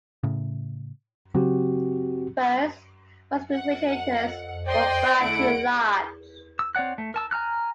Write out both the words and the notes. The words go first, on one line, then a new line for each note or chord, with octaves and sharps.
First, most refrigerators were far too large.
A2 C#3
C#3 F#3 C4 F#4 G4
F#5
C5 D5 D#5 G5 C6
D3 A3 E4 F#5 D7
E6
C4 C#5 D5 F#5 F#6
A3
A#4 A5 E6
G#5 A#5 F6 F#6